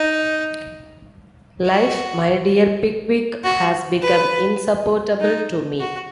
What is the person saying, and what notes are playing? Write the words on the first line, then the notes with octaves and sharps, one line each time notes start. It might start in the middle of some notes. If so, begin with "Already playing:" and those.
Life, my dear Pickwick, has become insupportable to me.
Already playing: D#4
F#4
F#4
B4
D#4
F#4